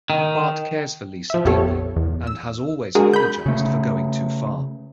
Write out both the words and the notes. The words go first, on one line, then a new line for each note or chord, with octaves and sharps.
Bart cares for Lisa deeply and has always apologized for going too far.
D#3
F3 E5
A#1 F2 B3 G4 A4 C#5
E2
E6
D3 G#3 F#4 G#4 A#4
B5 G6
C#3 A3